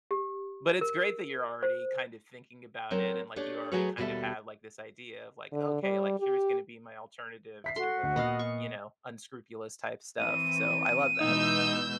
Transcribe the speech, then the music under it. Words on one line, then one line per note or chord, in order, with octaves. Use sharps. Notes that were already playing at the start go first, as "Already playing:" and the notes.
But it's great that you're already kind of thinking about it and, like, you already kind of have, like, this idea of, like, "Okay, like, here's gonna be my alternative to the, you know, unscrupulous type stuff." So, I love that.
G4
A#4
C5
F#3 C4 A#4 G5
A3 D4 G4 C#5
F#3 A3 F#4 G#4 B4 C#5
D#2 B2 G3 G4 A4 E5
D3
G3
G4
E5 B6 C7
F#4 A4 C6
D2 F#5
A#2 B3 D#5 F5
C#6
E3 C4 D#7
B2 E3 G#3 D#4 E6 G6